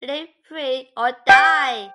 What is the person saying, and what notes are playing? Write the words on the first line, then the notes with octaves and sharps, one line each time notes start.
Live free or die!
G5